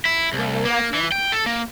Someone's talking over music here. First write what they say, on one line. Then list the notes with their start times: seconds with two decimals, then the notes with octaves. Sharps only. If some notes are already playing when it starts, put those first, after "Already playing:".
Do you want to know what I feel?
0.05 E4
0.33 C2
0.65 A#3
0.94 E3
1.12 G5
1.32 A4
1.46 A#3